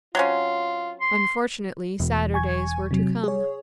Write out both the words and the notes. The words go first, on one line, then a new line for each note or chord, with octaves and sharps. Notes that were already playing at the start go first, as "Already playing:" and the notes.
Unfortunately sadder days were to come.
F#3 C4 C#4 F4
C6
E1
G#5 C#6 G#6
C3 F#3
G#4 C#5